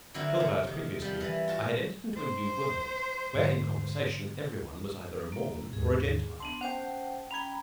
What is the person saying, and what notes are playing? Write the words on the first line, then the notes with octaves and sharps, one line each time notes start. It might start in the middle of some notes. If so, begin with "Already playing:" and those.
Twelve hours previously I had entered into a new world where, in conversation, every one was either a Mormon or a Gentile.
D3 F#3 C4 E4 A#4
C3
D#3
F3 G3
E3 B4 A5
F4 F#4 A5
C5
G#2 D3
A#3
D#2 G#2 G#4
B3 D4 A5 C6
C#4 C5 F#5 G5 A5
C#4 G5 A#5 B5 G#6